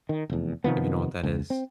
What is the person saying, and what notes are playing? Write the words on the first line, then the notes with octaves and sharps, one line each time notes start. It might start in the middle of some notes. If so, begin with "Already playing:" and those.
if you know what that is.
D#3
F1 E2
C3 D#3 F3 B3
C#2
C4